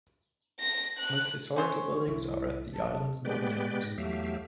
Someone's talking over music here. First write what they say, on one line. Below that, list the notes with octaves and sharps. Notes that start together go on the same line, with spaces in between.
Most historical buildings are at the island's northern end.
A#6
F#6
C#4 C5 C#5 C#6
G1 C2 E4
D#1 F#3 A5
G#3 B3 G4 B4 D5 G5
G#2 A#6
E2 F#3 A3 G4 E5 F5